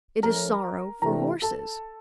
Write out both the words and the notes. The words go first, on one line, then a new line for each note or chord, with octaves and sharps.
It is sorrow for horses.
F3 A3 C#4 A#4 A#5
C3 E3 A3 D4 G4 A#4 A#5
A4 A5